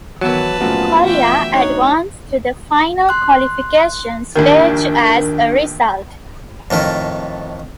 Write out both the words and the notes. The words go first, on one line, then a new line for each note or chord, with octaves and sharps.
Korea advanced to the final qualification stage as a result.
D#3 E3 F#3 B3 B4 E5 A5
A#1 F#2 A3 F4 F#4
E3 F#4 E5 G5
D4 D#4 C#5 F#6
C6 F#6
A#1 D#2 D#3 D4 A#4
F2 A2 D#3 A3